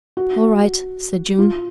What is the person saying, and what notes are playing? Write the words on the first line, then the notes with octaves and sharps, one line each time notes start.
"All right," said June.
F#4
F4